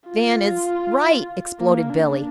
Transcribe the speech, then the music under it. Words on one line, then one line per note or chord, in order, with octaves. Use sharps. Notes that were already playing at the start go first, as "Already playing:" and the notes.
"Van is--right!" exploded Billie.
F4
A#3
D4